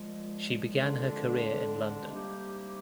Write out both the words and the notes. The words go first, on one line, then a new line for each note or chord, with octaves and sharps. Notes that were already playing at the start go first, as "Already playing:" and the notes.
She began her career in London.
Already playing: A#2 F3 G#3
F2 D3 G#3 D4
C3 G3 A#3 D#4 G4